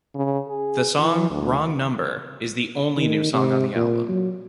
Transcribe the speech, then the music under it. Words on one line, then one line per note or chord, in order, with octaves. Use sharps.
The song "Wrong Number" is the only new song on the album.
C#3
G#4
E3
D2
D#3
C3
A#2
F#3